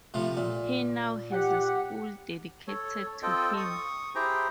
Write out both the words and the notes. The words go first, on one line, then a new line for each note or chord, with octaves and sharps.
He now has a school dedicated to him.
A2 C3 F3
A#2
G4 F#5
A4 C#5
C4 F4 A4 D#5 G5
C#6 D#6
E4 G4 G#4 C5 G5 A#5